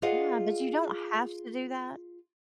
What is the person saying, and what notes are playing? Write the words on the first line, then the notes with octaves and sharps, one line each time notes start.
Yeah, but you don't have to do that.
F4 G#4 D5 D#5 F5 F#5